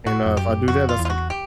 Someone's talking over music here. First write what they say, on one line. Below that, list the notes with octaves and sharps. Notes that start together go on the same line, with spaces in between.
and, uh, if I do that, that's, like,
A2 F#4
F2
F#2 G4
F2 F#4
F4
E2
F4
F#4
G4